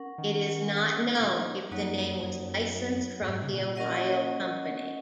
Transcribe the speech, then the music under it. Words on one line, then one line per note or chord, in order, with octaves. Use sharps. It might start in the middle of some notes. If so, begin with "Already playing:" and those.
It is not known if the name was licensed from the Ohio company.
Already playing: C#4 A#4 F#5
D#3
A#2
D#3
F#2 F#3 A#3 D#4 F#4 C#5
F#2
F#2
G#2
C#3
A#2
C#4 A#4 D#5 F#5